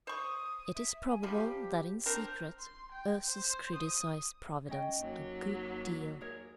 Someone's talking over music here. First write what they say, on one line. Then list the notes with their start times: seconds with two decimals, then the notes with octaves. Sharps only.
It is probable that in secret Ursus criticized Providence a good deal.
0.07 C5 C#6 D#6
0.75 E5
1.06 G#5
1.23 C3 F3 G3 G4
2.06 C4 D4 A#4 G6
2.59 C6
2.92 G5
3.27 C5
3.76 D#6
4.68 C#4 D#5 G5
4.98 D#2 F#3
6.21 G#4 A#4 C#5